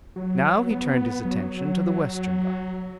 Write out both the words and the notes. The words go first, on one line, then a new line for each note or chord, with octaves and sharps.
Now he turned his attention to the western dial.
F#3
B3
F#3